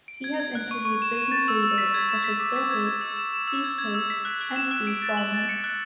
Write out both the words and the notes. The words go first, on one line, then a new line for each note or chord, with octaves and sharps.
He has interviewed business leaders such as Bill Gates, Steve Case, and Steve Ballmer.
D7
G#6
G#6
F#6
C#6
C#6
E7
E7
A6
E6
E6
B6
G#6
E7
B6
D6
B6
G#6
G#6
E6
E7
E7
E6
G#6
G#6
E6
B6
F#6
F#6
E7
F#6
D7
A6
F#7
A6
C#7
F#6